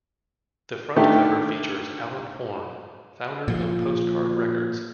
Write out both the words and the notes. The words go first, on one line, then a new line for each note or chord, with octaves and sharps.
The front cover features Alan Horne, founder of Postcard Records.
D3 D#3 A3 G4
A#2 F3